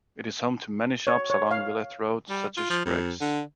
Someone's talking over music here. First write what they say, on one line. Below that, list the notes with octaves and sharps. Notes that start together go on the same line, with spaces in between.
It is home to many shops along Villette Road such as Gregg's.
C#5
C#5
F5
G3
F4
F3
F2
D3